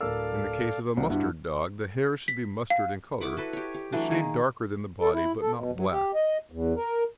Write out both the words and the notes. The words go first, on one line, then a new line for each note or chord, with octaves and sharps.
In the case of a mustard dog the hair should be mustard in colour, a shade darker than the body, but not black.
D1 A4 A#4 D5 F5 E6
C2 C4 F4 F#4
G2 E4 F#4
B6
F5
E4 F#5 C#6 D6
F#4 A4 B4
G4 C#5
G4
E3 F#3 A3 D4
D#3 A#3 G#4
A4
E4
A4
B2
F#3
G4
D#5
E2
A#4